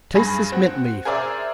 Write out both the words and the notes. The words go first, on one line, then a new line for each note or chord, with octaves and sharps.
Taste this mint-leaf!
G2 G#4 B5 A#6
C4 F#4
G#4 A#4 C5 D5 E5